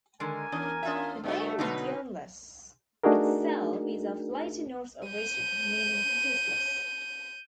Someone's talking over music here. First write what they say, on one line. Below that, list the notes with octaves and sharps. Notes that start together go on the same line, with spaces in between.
The name Gaunless itself is of later Norse origin, meaning useless.
D3 D#3 G#3 A#4 G#5
E2 C#4
C#4 F4 E5
G2 C#3 A3 F#4
B2 D3 F#3 D#4 G#4 B4
A3 D4 D#4 F#4 G#4 A#4
G6 D#7